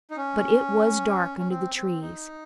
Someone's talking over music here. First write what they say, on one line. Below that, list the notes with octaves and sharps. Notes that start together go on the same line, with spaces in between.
But it was dark under the trees.
D#4
C#4
C#4
C4
C4
D#4